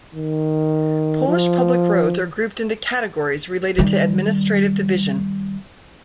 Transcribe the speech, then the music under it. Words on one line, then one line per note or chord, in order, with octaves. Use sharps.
Polish public roads are grouped into categories related to administrative division.
D#3
F3
D#3 G3